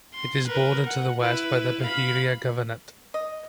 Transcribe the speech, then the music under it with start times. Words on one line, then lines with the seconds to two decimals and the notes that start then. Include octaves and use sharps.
It is bordered to the west by the Beheira Governorate.
0.14 C6
0.48 A#4 B4
0.86 F#5
1.20 E4 B4
1.82 F5 B5
3.14 D#5